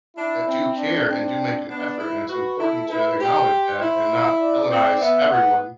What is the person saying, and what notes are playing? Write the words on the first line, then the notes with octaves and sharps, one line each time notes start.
that do care and do make an effort, and it's important to acknowledge that and not villainize everyone.
D4 E4
C4
D4
C4 D4
B3 D4
E4
F#4 B4
E4 A4
E4 B4
G4 C5
E4
D5
C4
B3 E5
B3 F#5